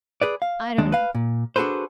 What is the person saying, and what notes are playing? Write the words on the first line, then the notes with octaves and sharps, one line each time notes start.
'I don't know.
G#4 B4 D5
F5
D#2 G#3 D4
B4 F5
A#2
D4 F#4 G#4 A4 B4 C5